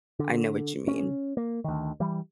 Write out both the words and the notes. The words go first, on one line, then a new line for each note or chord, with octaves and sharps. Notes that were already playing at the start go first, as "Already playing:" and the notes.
I know what you mean.
D3
C#4
A#3
D2 D#3
E3 G3